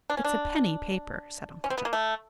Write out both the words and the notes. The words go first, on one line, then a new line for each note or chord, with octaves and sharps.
"It's a penny paper," said Uncle John.
D4
C#4
D4
C#4
C4
B3
A#3
A3